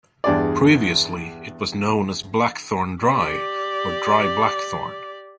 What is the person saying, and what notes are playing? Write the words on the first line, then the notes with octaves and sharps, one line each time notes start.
Previously it was known as Blackthorn Dry or Dry Blackthorn.
E2 G2 G#4 D5
G4 D5